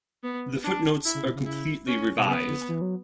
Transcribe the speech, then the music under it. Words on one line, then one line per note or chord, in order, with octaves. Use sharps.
The footnotes are completely revised.
B3
D4
E4
C#3
B2
C#3
E4
C#4
B2
C#3 B3
D3
E3
F#3